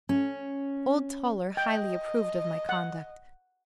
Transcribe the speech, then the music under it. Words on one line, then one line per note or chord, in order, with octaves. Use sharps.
Old Toller highly approved of my conduct.
C#4
D#5 G5
F#5